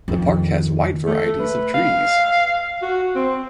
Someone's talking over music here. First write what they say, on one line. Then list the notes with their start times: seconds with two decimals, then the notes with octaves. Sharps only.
The park has wide varieties of trees.
0.08 F2 D#3
1.06 A3
1.40 B4
1.74 F5
2.82 F#4
3.15 C4